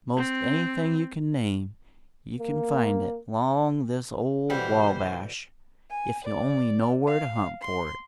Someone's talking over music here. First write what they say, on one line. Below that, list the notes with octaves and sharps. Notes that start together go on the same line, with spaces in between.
Most anything you can name, you can find it 'long this ole Wabash, if you only know where to hunt for it.
C4
A#3
B2 D3 E3 G3 C5
G#5
D5
F5
C6